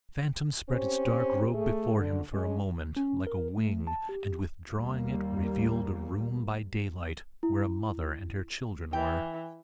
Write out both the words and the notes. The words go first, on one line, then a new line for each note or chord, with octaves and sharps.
The Phantom spread its dark robe before him for a moment, like a wing; and withdrawing it, revealed a room by daylight, where a mother and her children were.
C4 C#4 G4 C5
A3 G#4
D3
G#3 C#4
C#4
A#4
A3
A5
G4
D#2 G3 A#3
E4
E3 G5